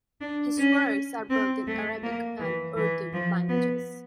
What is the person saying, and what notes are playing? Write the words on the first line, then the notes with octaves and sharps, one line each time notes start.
His works are both in Arabic and Urdu languages.
D4
C#4
C4
A3
A#3
E3
E3
F3
B3